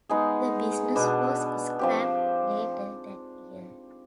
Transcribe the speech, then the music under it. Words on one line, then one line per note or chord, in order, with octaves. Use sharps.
The business was scrapped later that year.
G#3 B3 D#4 G#4
B2 B3 D4
F3 C4 G4